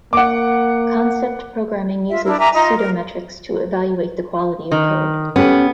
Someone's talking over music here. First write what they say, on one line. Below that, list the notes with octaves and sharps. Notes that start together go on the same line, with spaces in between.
Concept programming uses "pseudo-metrics" to evaluate the quality of code.
A#3 F#5 D6
F4 E5
D4 E4 A#4
E5 G#5 A#5 D6
D#4 F4 D#5
A#4
D#3
B3 C#4 G4 A4